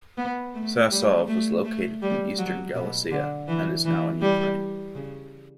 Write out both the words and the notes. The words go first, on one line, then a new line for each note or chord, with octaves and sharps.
Sasov was located in Eastern Galicia, and is now in Ukraine.
B3
A3
G3
A3
A3
G3
F#3
B2
D3
E3
E3
G3
C#3